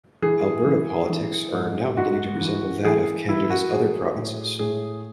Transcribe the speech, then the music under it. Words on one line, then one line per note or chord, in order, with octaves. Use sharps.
Alberta politics are now beginning to resemble that of Canada's other provinces.
E3 G#4
E3
E3
G#2
G#2 F#4
E3
E3 G#4
E3 E4
F#4
F#3 G#4
A2
A2 G#4